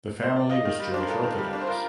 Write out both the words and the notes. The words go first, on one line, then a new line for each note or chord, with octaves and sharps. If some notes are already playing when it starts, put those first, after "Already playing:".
The family was Jewish Orthodox.
C5
D5
F4 D#5
D#3
G3
D4 C5
A#4
F4 A4
D#3
G3
D4
C5
F4 A#4